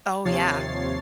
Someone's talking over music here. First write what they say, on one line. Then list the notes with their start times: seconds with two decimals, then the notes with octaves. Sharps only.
Oh, yeah.
0.25 D#2 C3 F3 C#5 A6 C7